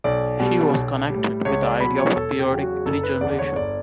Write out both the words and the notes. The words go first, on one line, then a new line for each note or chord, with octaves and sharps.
She was connected with the idea of a periodic regeneration.
B1 D5
B2 G3
B1
A2 G3
C#2 C#5
D5
B2 F#3 B5
C#5
E1 A4
G4
E2 C#3 F#3
F#4
F#1 A4
B4
E2 D3 D5
C#5
G1 D5